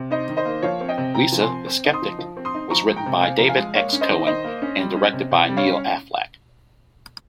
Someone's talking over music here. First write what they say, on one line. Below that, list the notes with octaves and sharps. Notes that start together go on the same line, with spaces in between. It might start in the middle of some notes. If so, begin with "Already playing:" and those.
"Lisa the Skeptic" was written by David X. Cohen, and directed by Neil Affleck.
Already playing: C3
D#4 C5 D#5
D#3
C5 D#5
A#3
F3 C#5 F5
C4
D#5 G5
C3
C3 G5 A#5
F3
G#5 C6
C4
C4
D#4
C6 D#6
F3
F3
C4
C6 D#6
D#4
F3 A#5 C#6
G#3
G5 A#5
C3
C4 F5 G#5
F3 A#5
F5 G#5
G#3
A#3 C#5 F5
C#4
C5 D#5
D#3
D#3 C5 D#5
A#3
C#4
G3
C#4
C3
C3
G3
C#5 F5
C#4